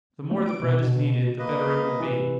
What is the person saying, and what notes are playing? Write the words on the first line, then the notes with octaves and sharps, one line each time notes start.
The more the bread is kneaded, the better it will be.
A3
D7
B2
B2
A#3 B4 D#5
C3 E3